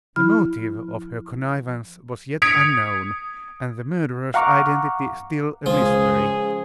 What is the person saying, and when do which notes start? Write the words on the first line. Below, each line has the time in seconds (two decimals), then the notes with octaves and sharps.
The motive of her connivance was yet unknown, and the murderer's identity still a mystery.
0.16 F3 E4 B5 F6
2.42 D#6 G#6 B6 C#7 D7 F7
4.34 F5 F#5 A#5 C#6 D6 F6
5.66 C#2 F3 G#4